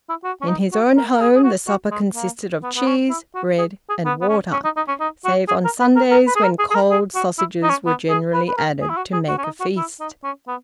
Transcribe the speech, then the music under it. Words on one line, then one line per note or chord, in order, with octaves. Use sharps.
In his own home the supper consisted of cheese, bread, and water, save on Sundays, when cold sausages were generally added, to make a feast.
E4
F#4
C#4
D#4
F#4
A#4
A#4
G#4
G#4
F#4
F#4
G#3
A#3
B3
B3
C#4
E4
F#4
G#4
G#4
B3
B3
C#4
C#4
D#4
D#4
C#4
D#4
F#4
G#4
A#4
B4
A#4
A#4
B4
G#4
A#4
G#4
G#4
A#4
G#4
F#4
E4
D#4
C#4
B3
G#4
B4
B4
A#4
G#4
E4
F#4
G#4
F#4
C#4
D#4
F#4
E4
D#4
C#4
B3